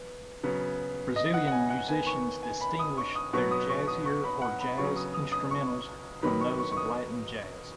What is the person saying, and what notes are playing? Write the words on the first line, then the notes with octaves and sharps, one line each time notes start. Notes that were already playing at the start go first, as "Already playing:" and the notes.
Brazilian musicians distinguish their jazzier or jazz instrumentals from those of Latin jazz.
Already playing: B3
C#3 F#3 B3
D#5
F#5
F#5
G#5
F#5
D#3 B3 G#5
C#6
G#5
B5
D#6
C#6
D#6
B2 F#3 B3 C#6
D#6
C#6
D#6
C#6
B5
F#5
B5
C#3 F#3 B3 C#6
D#6
D#6
D#6
C#6
D#3 F#3 B3 B5
C#6
C#6
C#6
D#6